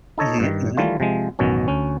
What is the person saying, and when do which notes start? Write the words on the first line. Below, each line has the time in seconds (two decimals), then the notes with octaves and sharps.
Mhm. Mhm.
0.18 D#4 A4 C#5 D#5
0.40 G2 D#3
0.77 D#3 E3 G3 A3 F4
1.00 C3 F3 G#3
1.39 A1 F#2 B2 D#3 C#4
1.68 D2 C#4